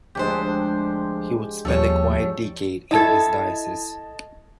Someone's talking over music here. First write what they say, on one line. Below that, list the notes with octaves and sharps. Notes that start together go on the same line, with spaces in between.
He would spend a quiet decade in his diocese.
D2 F3 G#3 D4 G4 C5
D#2 F3 G3 A4 C#5
E4 A4 D#5 A5 G#6